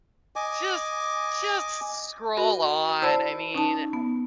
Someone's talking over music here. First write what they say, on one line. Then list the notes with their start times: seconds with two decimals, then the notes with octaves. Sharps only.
"Just just scroll on," I mean, i i
0.36 D#5 G#5 D6
2.37 F#4 A#4 D#5 B5
3.02 E4 C5 D5 A5 B5 E6
3.55 C#4 D#4 A5
3.93 B3